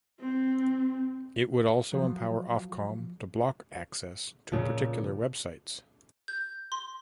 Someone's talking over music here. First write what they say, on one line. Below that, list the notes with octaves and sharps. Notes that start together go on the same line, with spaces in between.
It would also empower Ofcom to block access to particular websites.
C4
F3 F#3
A#2 C#3 F3
G6
C6